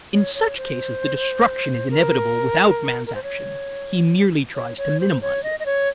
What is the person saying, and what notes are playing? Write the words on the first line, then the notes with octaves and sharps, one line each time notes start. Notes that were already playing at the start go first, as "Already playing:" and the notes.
In such cases the destruction is inevitable without man's action; he merely tries to minimize it.
C#5
C#5
C5
A#4
A#4
C5
C#5
C#5
C#5
C5
C#5
D#5
D#5
C#5